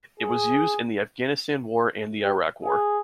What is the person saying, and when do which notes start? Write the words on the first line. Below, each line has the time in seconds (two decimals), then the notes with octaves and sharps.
It was used in the Afghanistan War and the Iraq War.
0.20 G#4
2.24 G4
2.65 G#4